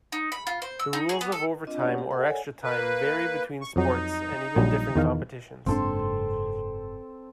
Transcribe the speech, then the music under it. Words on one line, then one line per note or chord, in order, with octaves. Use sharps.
The rules of overtime or extra time vary between sports and even different competitions.
D#4
B5
F4
C5
E6
D#4
G#4
B3
A4
C4 D4 F4 D#5
A#3 C#4 G4 C#5 D5 F#5
G4
A4 A#4 D#5 F#5
A4 C#5 D5 F#5 G#5
A#3 B4
C#6
F2 F#3 D#4
A#1 F#3 G3
E2 D#3 F5
F#1 G#2 C4 D4 A4 C6